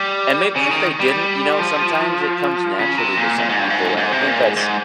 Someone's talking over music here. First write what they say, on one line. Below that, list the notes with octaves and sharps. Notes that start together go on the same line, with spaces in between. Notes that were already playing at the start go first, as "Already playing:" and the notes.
and maybe if they didn't, you know, sometimes it comes naturally to some people, and I think that's
Already playing: G3
C#3
D#3
G3
F3
C#3
C3
A#2
A#2
G#2
G2
G#2
G#2
C3
A#2
G#2
G#2